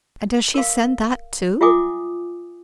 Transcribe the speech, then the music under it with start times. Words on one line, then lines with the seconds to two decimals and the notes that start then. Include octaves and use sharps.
"And does she send that too?"
0.54 A#4 F5
1.61 F4 E5 F#5 G#5 D6 D#6